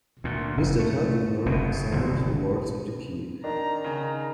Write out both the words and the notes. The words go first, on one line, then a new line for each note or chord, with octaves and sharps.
Mr. Tulkinghorn examined the wards of the key.
D2 A#2
F#1
A3
F#1 B2
D#1 G#1 D2
D#3 D4 A#5
C#3